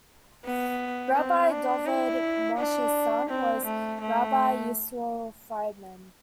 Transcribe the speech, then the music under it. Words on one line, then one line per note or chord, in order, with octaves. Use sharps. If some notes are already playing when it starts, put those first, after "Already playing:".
Rabbi Dovid Moshe's son was Rabbi Yisroel Friedman.
B3
C4
D4
E4
D4
C4
A3
A3